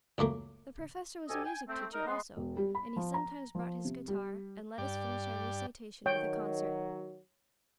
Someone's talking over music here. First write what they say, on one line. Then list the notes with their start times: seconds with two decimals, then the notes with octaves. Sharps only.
The professor was a music-teacher also, and he sometimes brought his guitar, and let us finish our recitation with a concert.
0.18 C#2 F#2 A3 A#3
1.28 D2 G4 A4 D#5 G#5
1.45 G5 G#5
1.67 A3 C4
1.92 D#4 A#4
2.06 G#3 B3 C6
2.37 E1
2.57 G3
2.75 B5
2.96 F3
3.14 A#5
3.55 F3
3.85 C3
4.08 G3
4.78 G2 D5 G5
6.06 D#3 F#3 C#5 G5